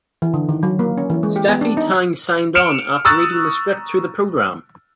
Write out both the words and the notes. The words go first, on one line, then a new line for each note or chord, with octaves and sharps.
Stephy Tang signed on after reading the script through the program.
E3
D3
D#3
F#3
A#3
C#4
E3
G#3
G4
B3
D4
D#4
F6 C#7 D7 E7
A#5 C#6 D#6 E6 F#6 A6